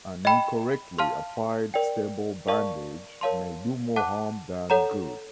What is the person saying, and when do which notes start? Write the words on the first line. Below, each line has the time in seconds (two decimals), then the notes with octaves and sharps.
An incorrectly applied stable bandage may do more harm than good.
0.25 D#5 G5 B5
0.99 F5 A5 C6 F6
1.74 A#4 D5 G5
2.48 A#4 D5 F5 A5 C#6
3.21 A#4 C#5 F5 A5 C6
3.96 F#5 A5 D6 F#6
4.70 A4 C#5 F#5 A#5